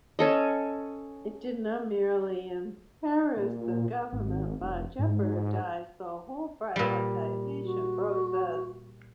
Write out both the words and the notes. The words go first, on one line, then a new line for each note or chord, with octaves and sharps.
It did not merely embarrass the government but jeopardised the whole privatisation process.
C#4 A4 D#5
A#2
G#1
F1
G#2
A#2 G3
F#4